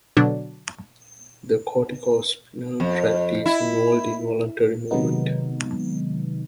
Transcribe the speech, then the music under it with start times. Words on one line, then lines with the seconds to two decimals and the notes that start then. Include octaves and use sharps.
The corticospinal tract is involved in voluntary movement.
0.17 B2 D3 F#3 D4
2.80 F2
3.46 E4
4.91 C3 D#3 F#3 G#3 B3 D#4